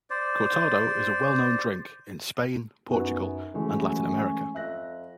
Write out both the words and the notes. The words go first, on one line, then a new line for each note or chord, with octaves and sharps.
Cortado is a well known drink in Spain, Portugal and Latin America.
C5 D5
F#2 B3 D#4 F#4
F#2 E3 G#3 A3 C#4
F2 E5 F#6 A#6